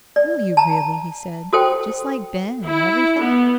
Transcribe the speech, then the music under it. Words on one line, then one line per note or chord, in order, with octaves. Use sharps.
"Will you, really?" he said, "just like Ben--and everything?"
D5
A5 A#5
F#4 A4 C5 G5
E4
B3